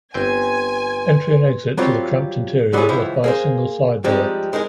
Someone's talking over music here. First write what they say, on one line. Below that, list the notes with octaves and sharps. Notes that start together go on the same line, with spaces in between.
Entry and exit to the cramped interior was by a single side door.
G1 C4 B4 G5 G#5 C6
F#3 G3 C4 F4
F#3 G3 B3 E4 F4 G#4
C#2 E3 F3 E4
A#3 G#4 C5
F3 G3 G#3 C4 D#4 C5
G#3 D#4 G#4 A#4